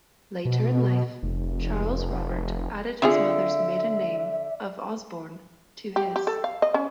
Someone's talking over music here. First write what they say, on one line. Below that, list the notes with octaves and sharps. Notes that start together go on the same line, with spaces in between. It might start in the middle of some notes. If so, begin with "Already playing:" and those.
Later in life, Charles Robert added his mother's maiden name of Osborn, to his.
B2
F1
D3 C4 F4 G#4 E5
G4
G4
A4
F5
D#5
C#4